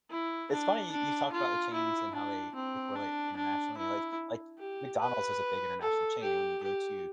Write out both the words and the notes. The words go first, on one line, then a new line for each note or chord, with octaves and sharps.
It's funny you you talked about the chains and how they they correlate internationally, like like, McDonald's is a big international chain and when you go to
E4
D4
D4
F4
E4
D4
C4
D4
D4
E4
G4
B4
A4
G4
G4